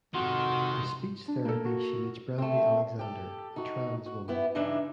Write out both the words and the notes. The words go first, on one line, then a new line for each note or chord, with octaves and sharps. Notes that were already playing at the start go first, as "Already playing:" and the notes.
In speech therapy she meets Brandy Alexander, a trans woman.
F2 G#2 C3 D#3 F#4 C6
D4
A#3 A4
F#4
A3 C4
G4 A4
D#4 F#4
F#4
B3 E4 G4
G2 C#3 E3 D4 D#4 E5